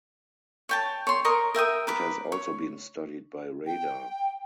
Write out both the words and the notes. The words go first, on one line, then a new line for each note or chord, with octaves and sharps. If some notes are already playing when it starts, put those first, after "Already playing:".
It has also been studied by radar.
C#5 G5 A5
C#5 C6
A#4 D#5 A#5 C#6
A#4 E5 G5 D#6
A#4 B4 D6
C#5
G5